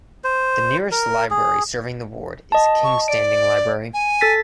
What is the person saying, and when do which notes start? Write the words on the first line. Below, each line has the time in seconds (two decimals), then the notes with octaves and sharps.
The nearest library serving the ward is Kingstanding Library.
0.24 C5
0.92 A#4
1.31 G#4
2.52 D#5 A5
2.84 C#6
3.08 D5 D7
3.94 G#5
4.21 A4 A6 B6